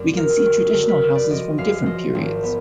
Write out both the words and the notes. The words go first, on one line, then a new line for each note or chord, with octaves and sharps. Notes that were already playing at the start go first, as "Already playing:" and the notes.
We can see traditional houses from different periods.
Already playing: F#2 D5
F3 A#4
G#4
D3 F#4
G#4
D3 A#4
B4
F#2 B4
D5
F3 D#5
F#2 F5
F3 D#5
G#1
B3